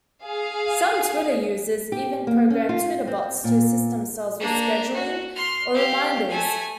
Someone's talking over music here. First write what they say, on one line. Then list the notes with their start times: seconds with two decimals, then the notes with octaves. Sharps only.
Some Twitter users even program Twitterbots to assist themselves with scheduling or reminders.
0.23 G#4 F5
1.92 G4
2.27 A#3
2.50 C#4
2.69 F4
3.07 C4
3.44 A#2
4.40 A#3 D4
4.94 F#4
5.35 C6 F6
5.74 G4 F5
6.28 A3 G#5